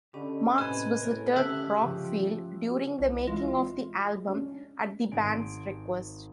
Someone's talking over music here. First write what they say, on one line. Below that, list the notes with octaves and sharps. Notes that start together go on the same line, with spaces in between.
Marks visited Rockfield during the making of the album at the band's request.
D3 C#4 G4 D#5 B5
A2 C3 B4 G#5
A2 A4 A#4
D3 C#4 G4 E5 F#5 A5 F#6
C#3 F3
C2
E3 G#3 E4 F4
C#4 D4
G#1 C4 G#5 D7